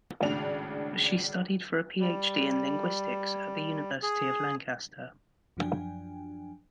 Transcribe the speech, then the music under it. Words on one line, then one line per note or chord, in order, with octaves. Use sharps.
She studied for a PhD in linguistics at the University of Lancaster.
G#1 A2 C#3 D4 F7
G3
G#4
F#2 F3 F#3 D4 G5 G#5